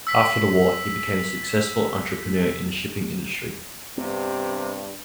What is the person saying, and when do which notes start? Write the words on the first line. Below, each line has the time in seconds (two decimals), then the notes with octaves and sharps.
After the war he became a successful entrepreneur in the shipping industry.
0.07 E6 B6
3.97 G2 C3 B3